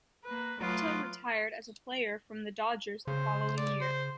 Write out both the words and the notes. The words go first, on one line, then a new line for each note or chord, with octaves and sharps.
Mota retired as a player from the Dodgers the following year.
A#3 B4
F#3 A3 F4 B4 D6 D#6
C#3 C5
D5
C5